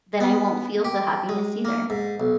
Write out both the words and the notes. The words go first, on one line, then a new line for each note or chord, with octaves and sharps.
then I won't feel the happiness, either.
B3
G4
G#3
A#3
G#2
B1